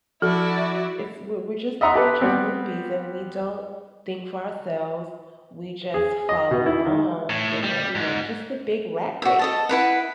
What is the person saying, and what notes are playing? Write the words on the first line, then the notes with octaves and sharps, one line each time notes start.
it's we're we're just a bunch of groupies, and we don't think for ourselves, we just follow along with everyone, it's just the big rat race.
F3 E4 F#4 A4 D5
D#5 E5 F#5 A#5 C6 D#6
G4 A4 B4
G3 B3 C4
G#4
D#5
B2
E4
D#3
A2
G3
G#2
F#4 E5
A4 D#5 A5
E4 B4 F#5